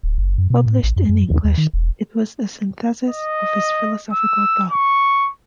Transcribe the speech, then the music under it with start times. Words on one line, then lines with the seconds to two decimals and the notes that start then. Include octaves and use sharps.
Published in English, it was a synthesis of his philosophical thought.
0.03 D1
0.18 F#1
0.38 F#2
0.50 B2
0.66 A2
0.83 A1
0.96 F#2
1.09 F#2
1.31 D#2
1.44 D#2
1.57 D#3
1.73 E1
3.09 D#5
4.13 E6
4.72 C#6